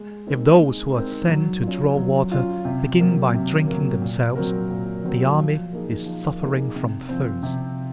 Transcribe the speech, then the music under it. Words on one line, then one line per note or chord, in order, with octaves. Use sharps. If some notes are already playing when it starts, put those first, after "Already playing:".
If those who are sent to draw water begin by drinking themselves, the army is suffering from thirst.
Already playing: G#3
C4 D#4 A#4
G#3
C4 D#4 A#4
F#3
C#4 F4
F#3
C#4 F4
C3
F#3 A#3
C3
F#3 A#3
A#2
F#3 C4 F#4 A#4
A#2
F#3 C4 F#4 A#4
F3
A#3 D#4 G#4
F3
A#3 D#4 G#4
C3
F3 C4
C3